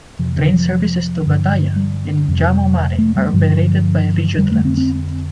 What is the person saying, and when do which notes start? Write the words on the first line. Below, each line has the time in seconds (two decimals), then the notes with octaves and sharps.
Train services to Gataia and Jamu Mare are operated by Regiotrans.
0.19 F2 C3 F3
0.36 D3
0.54 F3
1.24 G2 D3
1.76 G3
2.28 F2 C3
2.98 A3
3.16 G3
3.33 G2 D3 F3
4.38 F2 D3 G3
4.52 A3
4.65 C4
4.77 C4